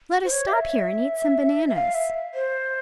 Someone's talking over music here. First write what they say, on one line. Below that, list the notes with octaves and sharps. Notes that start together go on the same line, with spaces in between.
Let us stop here and eat some bananas.
C5
C#5
F5
E5
E5
F5
E5
C5